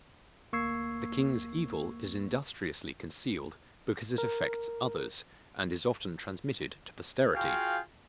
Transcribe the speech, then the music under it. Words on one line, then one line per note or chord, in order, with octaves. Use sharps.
The king's evil is industriously concealed, because it affects others, and is often transmitted to posterity.
D2 A#3 C#6 E6 G#6 C7
A#4
F4 F#4 G#4 F5 G5